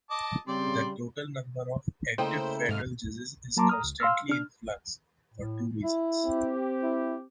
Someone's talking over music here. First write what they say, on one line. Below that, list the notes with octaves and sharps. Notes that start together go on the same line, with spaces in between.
The total number of active federal judges is constantly in flux, for two reasons.
D#5 A5 D6
C#3 G3 C4 D5 C6
C#3 A3 A#3 E4 C5 D#5 G5
D#2 G#2 C3 D#5 F6
F#3 A#3 A5 A#5 C6 D6
A#5 D#6 F6
C#2
F5 C6 E6 F6
D4 F6
A2
E4
C4 G4
E4